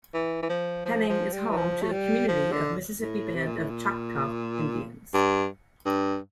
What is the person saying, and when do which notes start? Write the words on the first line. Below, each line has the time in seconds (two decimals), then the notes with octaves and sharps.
Henning is home to a community of Mississippi Band of Choctaw Indians.
0.14 E3
0.42 E3
0.49 F3
0.85 F3
1.09 F3
1.33 G3
1.50 E3
1.57 F3
1.82 A3
1.92 G3
2.28 F3
2.52 D3
2.99 A2
3.35 C3
3.47 A#2
3.58 A2
3.70 A#2
5.14 G2
5.86 G2